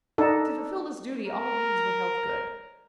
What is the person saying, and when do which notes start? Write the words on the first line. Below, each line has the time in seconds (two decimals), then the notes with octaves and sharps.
To fulfil this duty all means were held good.
0.18 D4 D#4 A4
1.28 A#4